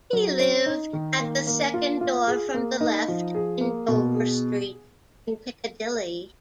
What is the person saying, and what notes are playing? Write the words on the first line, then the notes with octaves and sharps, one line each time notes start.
He lived at "the second door from the left in Dover Street" in Piccadilly.
F#3
C#4
D#4
D#3
A#3
A#3
F4
F4
G#4
A#3
D#4
F3
G#4
A#3
B2
G#4